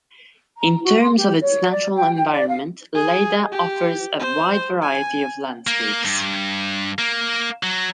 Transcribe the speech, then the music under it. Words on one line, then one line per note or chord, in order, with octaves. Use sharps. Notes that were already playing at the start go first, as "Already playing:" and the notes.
In terms of its natural environment, Lleida offers a wide variety of landscapes.
A#5
F#4
C6
G4
C#5
D5
G5
G5
D5
F5
G#4
G4
C5
G#5
A#3
G2
A#3
F#3